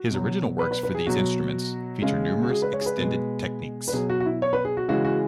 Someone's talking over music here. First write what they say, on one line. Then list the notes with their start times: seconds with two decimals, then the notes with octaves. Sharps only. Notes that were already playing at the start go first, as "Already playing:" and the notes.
His original works for these instruments feature numerous extended techniques.
Already playing: F#4
0.11 B2 F#3
0.59 B4
0.71 B4
0.83 B4
0.95 G#4
1.06 B2 F#3 F#4
2.02 C#3 G#3
2.43 F#4
2.50 G#4
2.62 B4
2.73 C#5
2.81 G#4
2.86 B4
2.98 B2 G#3
3.88 B4
3.93 B2 F#3 G#4
4.10 F#4
4.20 F#4
4.26 E4
4.42 C#5
4.53 B4
4.65 G#4
4.77 F#4
4.88 C#3 E3 G#3 F#4
5.05 F#4